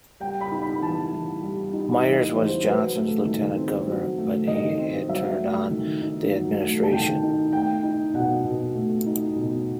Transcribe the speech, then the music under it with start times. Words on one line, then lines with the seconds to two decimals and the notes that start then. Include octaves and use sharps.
Myers was Johnson's lieutenant governor, but he had turned on the administration.
0.20 G3 G5
0.41 B5
0.51 D#4
0.62 B5
0.82 E3 A5
1.13 E3
1.42 G3
1.73 D#4
2.04 E3 D#5
2.34 E3 C5
2.65 F#3 B4
2.95 A3
3.25 D#3
3.57 C4
3.87 F#3
4.18 A3
4.47 D#3 D#5
4.78 C4
5.08 F#3 E5
5.39 A3
5.71 D#3
6.01 D#4
6.31 F#3
6.62 A3
6.83 A5
6.91 D#3 G5
7.23 D#4
7.53 A3 G5
7.83 D#4
8.14 B2 F#5
8.44 B2
8.75 A3
9.06 D#4
9.36 B2